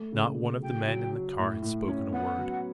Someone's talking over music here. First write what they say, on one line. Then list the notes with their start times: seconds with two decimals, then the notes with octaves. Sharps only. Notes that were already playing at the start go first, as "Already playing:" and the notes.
Not one of the men in the car had spoken a word.
Already playing: A3
0.12 C#3
0.38 C#3
0.62 F#3 G5
0.88 F#3
1.13 F#3
1.38 A2
1.62 A2
1.88 C#4
2.12 B3 F#5
2.38 F#3